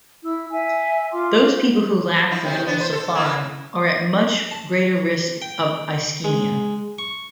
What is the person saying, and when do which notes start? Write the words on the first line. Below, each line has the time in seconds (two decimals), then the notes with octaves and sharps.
Those people who lack the dual supply are at much greater risk of ischemia.
0.23 E4 E6
0.51 E5 G#5 E6
1.11 F4 C6 D6
1.53 C5
2.30 F3 E4
2.44 C3 D#3 F#3
2.66 B3 D4
2.80 C5
2.93 A4
3.15 A#3 B3 E4
4.51 A5
5.42 G5
6.24 G#3
6.99 C#6